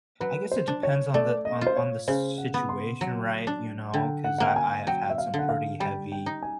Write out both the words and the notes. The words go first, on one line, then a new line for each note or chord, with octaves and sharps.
I guess it depends on the on on the situation, right, you know, ‘cause I I have had some pretty heavy
F#3 B4
C5
D4
C#5
A3 D5
D#5
F4
C5
C#5
C#3 C5
F#5
B3
C6
F#3
D4
D3 G5
F#5
A#3 F#5
G5
G#5
F#3 G5
E5
F5
D3
F#5
F5
G3 G5
G5
D#4
G#5